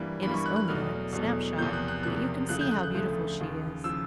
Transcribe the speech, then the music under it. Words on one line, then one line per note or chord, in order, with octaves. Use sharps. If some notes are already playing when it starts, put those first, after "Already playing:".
It is only a snap shot, but you can see how beautiful she is.
Already playing: G2 E3 G3 A#3
G2 E3 G3 A#3 B5
C#6
F#6
F#6
E2 B2 F#3 A3 F6
E2 B2 F#3 A3
E2 C3 F3 A#3 G6
F#6
F#6
E2 C3 F3 A#3 F#6
D2 C#3 F3 A3 F#6
G6
F#6
F#6
D2 C#3 F3 A3
D#2 C#3 F3
C#3 F3 E6